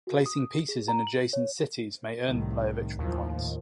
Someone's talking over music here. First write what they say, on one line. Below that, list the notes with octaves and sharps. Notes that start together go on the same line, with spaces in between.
Placing pieces in adjacent cities may earn the player victory points.
F#4
D#6
G#4
A#5
F#7
C#5
C2 A2 D#3
D#2 A2 F3